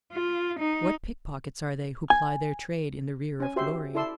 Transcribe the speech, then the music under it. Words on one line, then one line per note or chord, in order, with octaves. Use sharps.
What pickpockets are they who ply their trade in the rear of glory?
F4
D#4
G#5
C#4 G#5
F#4 G4 C5 E5 C6
E4 A4 D5 C6 E6